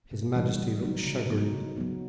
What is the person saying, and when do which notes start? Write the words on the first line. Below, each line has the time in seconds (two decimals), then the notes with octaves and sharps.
His Majesty looked chagrined.
0.11 C3
0.35 E3 G3 C4 D#4
0.59 C#3
0.82 F#3 B3 D#4
1.06 C#3
1.29 F#3 B3 D#4
1.52 C#3
1.76 F#3 B3 D#4